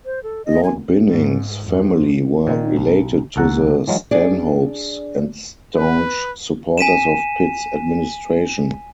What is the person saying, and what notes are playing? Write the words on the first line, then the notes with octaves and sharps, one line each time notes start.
Lord Binning's family were related to the Stanhopes and staunch supporters of Pitt's administration.
C5
A4
D#5
G#5
G#2
F2
A#2 D#3
B1
C#2 A4 F#5 A5 A#5
E3 F#3 G#3 F4
D4 G#4 D5
B4
G#5 B6 D#7 E7